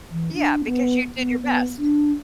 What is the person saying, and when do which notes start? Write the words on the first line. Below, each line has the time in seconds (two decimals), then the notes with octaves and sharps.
Yeah, because you did your best.
0.11 E3
0.34 D4
0.65 B3
1.16 B3
1.42 B3
1.78 D4